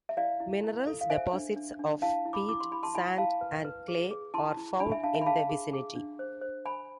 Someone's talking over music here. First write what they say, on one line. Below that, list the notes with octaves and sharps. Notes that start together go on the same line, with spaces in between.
Mineral deposits of peat, sand, and clay are found in the vicinity.
E5
E4 D5 F5
E4
E4
A4
F5
C5 E5 G#5
D4
D4
D4
E4 F5 A5
E4
B5 D6
E4 D6
C6
E4 B5
A5 C6
E4 G#5 B5
E4 F5 A5
B4
B4
G#4
G#4
E4 A5 C6
E4
D4 G#5 B5
E5 G#5
D4 F5 A5
E5 G#5
B5
G#4 F5 A5
G#4
G#4
D4
C5
C5
C5 G#5 B5